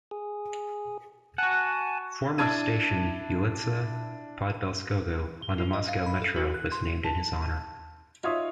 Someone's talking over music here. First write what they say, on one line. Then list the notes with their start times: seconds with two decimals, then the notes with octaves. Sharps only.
Former station Ulitsa Podbelskogo on the Moscow Metro was named in his honour.
0.11 G#4
1.38 F#4 F#5 G#5 A5
2.38 D4 E4 A5 G#6 D#7
5.42 G7
5.58 F4
5.73 D#5
5.88 F5
6.06 B5
6.22 A4
6.36 F#4
6.54 F#6
6.72 C6
7.04 A5
8.23 D#4 F4 C#5 E5 D#6